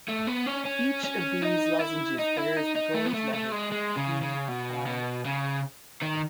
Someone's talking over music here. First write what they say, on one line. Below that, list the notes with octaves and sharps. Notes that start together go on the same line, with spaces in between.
Each of these lozenges bears a gold letter, V. I.
A3
B3
C#4
C#4
C#4
D#4
E4
D#4
E4
D#4
D#4
A3
B3
A3
A3
G#3
G#3
C#3
C#3
B2
B2
C#3
D#3